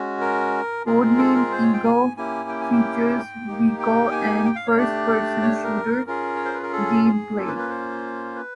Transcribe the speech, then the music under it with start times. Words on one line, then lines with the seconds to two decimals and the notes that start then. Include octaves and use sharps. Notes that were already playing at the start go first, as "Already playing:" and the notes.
"Codename Eagle" features vehicle and first-person shooter game play.
Already playing: G#3 C#4 F#4
0.21 A#4
0.86 G#3 C4 F4 G#4 A#4
1.19 A4
1.35 A#4
1.52 C5
1.62 C#5
1.74 G5
1.84 G#5
2.17 A#3 C#4 E4 G4 G#5
2.49 G5
2.61 G#5
2.72 G5
3.47 A#3 D#4 G4
3.80 G5
4.11 G#5
4.45 G5
4.56 F5
4.66 C#5
4.76 A3 D4 G4 D5
5.42 C#5
5.64 A#4
6.07 C#4 F4 G#4 A#4
6.36 C#5
6.45 C5
6.54 B4
6.63 A#4
6.72 A4
7.04 G#4
7.37 A#3 C#4 F4 A4
7.48 B4
7.59 B4
7.70 C5
8.35 B4